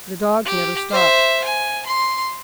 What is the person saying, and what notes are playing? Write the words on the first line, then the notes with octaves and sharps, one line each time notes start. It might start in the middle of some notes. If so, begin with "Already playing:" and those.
The dogs never stopped.
G4
C5 E5
G#5
C6